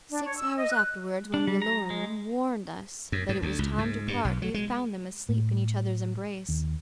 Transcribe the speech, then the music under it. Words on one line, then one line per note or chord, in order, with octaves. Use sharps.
Six hours afterwards, when the alarum warned us that it was time to part, we found them asleep in each other's embrace.
D4
C#5
E6
D#5
F#6
D4
G3
A#5
G#3
F#2
G#2
D2
C#2
G#2
G2
B1
F#3
G#3
A2
D#2